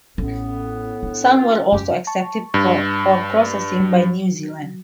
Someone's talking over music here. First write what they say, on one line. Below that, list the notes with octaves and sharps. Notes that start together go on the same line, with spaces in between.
Some were also accepted for processing by New Zealand.
A1 A2 B3 C#4
D4
D#2 C#4 F4
F#2 G4
A5 C#6
G2
F#3